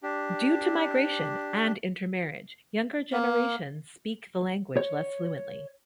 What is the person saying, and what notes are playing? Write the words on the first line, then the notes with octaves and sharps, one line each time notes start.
Due to migration and intermarriage, younger generations speak the language less fluently.
D4 G4
A#3
C#5